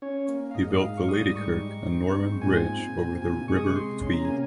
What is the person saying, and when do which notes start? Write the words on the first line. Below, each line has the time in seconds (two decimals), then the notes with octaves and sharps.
He built the Ladykirk and Norham Bridge over the River Tweed.
0.02 C#4 C#5
0.29 A#3
0.51 F5
0.55 G#2 D#5
0.71 D#5
0.82 G#2 F5
0.97 C#6
1.09 G3 D#6
1.35 G#2 C#6
1.62 D#4
1.88 C4
2.15 G#2
2.41 A#2 G#5
2.68 C4
2.95 A#2
3.22 C3 G#5
3.48 G#3 C#6
3.56 D#6
3.64 C#6
3.75 C3 C6
4.02 C#4 C6
4.13 A#5
4.25 A#3 G#5